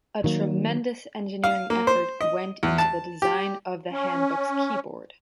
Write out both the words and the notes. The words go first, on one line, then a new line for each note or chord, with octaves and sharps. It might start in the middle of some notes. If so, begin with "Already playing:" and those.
A tremendous engineering effort went into the design of the HandBook's keyboard.
D#3 F#3 A#3
F5
A#3
C5
D#5
E2
A5
G4
C#4